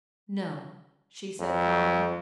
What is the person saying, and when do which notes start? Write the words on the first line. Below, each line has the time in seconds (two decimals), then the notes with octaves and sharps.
"No," she said, calmly.
1.40 F2